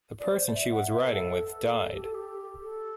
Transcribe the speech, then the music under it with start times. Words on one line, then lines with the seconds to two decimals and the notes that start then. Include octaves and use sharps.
The person she was riding with died.
0.20 D5
0.31 C5
0.43 D5
0.54 E5
0.72 F#5
0.89 E5
1.00 B4
1.06 A4
1.58 A4
1.93 G4
2.04 A4
2.14 G4
2.62 A4